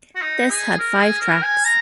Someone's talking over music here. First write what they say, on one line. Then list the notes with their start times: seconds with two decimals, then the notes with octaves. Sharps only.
This had five tracks.
0.16 F#4
0.21 D#4
0.50 G#4
0.79 A#4
1.00 G#4
1.21 A#4
1.43 G#5
1.65 A#5